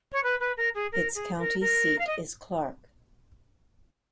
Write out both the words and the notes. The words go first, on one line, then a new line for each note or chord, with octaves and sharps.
Its county seat is Clark.
C#5
B4
B4
A#4
G#4
A#4
G#4
A#4
A#4
F5
D#5